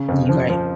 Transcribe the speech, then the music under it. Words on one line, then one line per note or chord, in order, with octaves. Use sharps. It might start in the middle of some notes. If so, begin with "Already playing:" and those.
You right.
Already playing: C#3
F2
F3
F3